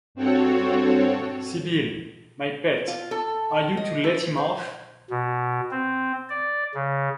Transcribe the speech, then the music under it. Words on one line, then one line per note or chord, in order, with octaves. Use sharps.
Sybil, my pet, are you to let him off?
G2 C4 F#4 A4 C#5
F4
A4
D#5
E4
C5
B2
C4
D5
C#3